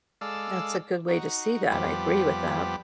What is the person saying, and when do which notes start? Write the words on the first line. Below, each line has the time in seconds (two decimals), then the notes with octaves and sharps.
That's a good way to see that, I agree with that.
0.21 G#3 A4 D5 F5 E6
1.08 D#4 F#4
1.71 F2 F3 G3 B3 G4 B5